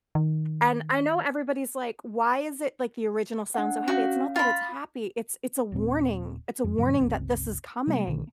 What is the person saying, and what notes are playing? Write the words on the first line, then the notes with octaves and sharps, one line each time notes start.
and I know everybody's like, "Why is it, like, the original sound so happy?" It's not that it's happy, it's it's a warning, it's a warning that this is coming,
D#3
D4 F#5
C#4 F#4 F5
F4 B5
D#1 A#2 C4
F2
F#2 A#2 C#3 F3
G1 C#2 C4
C3 G3 A#3
B1 B2 D3 D#3